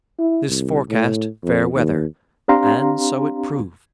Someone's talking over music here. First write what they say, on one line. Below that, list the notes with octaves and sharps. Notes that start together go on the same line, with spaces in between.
This forecast fair weather. And so it proved.
E4
C2
A2
F2
D#2
C4 D4 G4 F5 A#5 C6